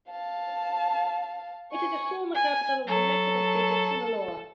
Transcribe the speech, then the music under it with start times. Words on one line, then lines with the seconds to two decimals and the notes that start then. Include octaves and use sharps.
It is a former capital of the Mexican state of Sinaloa.
0.11 F5 A5
1.72 G#5 C#6
2.35 G#5
2.87 F#3 A4